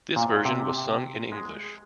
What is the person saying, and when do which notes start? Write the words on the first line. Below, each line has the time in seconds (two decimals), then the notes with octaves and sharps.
This version was sung in English.
0.16 A#2
0.45 C3
1.32 G#3